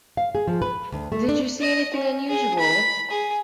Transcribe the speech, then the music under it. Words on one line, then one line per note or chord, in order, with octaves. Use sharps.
Did you see anything unusual?
F5
G#4
F3
B4
D2
A3
D4
D#5
C#4
G#4
B5
G#4